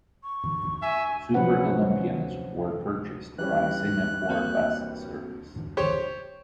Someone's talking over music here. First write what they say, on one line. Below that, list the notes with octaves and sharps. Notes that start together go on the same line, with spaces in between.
Super Olympians were purchased by Singapore Bus Service.
C#6
E5 G#5
C3 F3 F#3 C#4 B4 F#5
E3 G3 C#4 F#6
A#3 C4 F#4
G4 C5 C#5